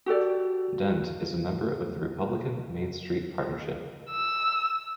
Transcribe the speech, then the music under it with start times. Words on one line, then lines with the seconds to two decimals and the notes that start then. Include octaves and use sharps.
Dent is a member of The Republican Main Street Partnership.
0.06 F#4 G4 A4 D5
4.11 E6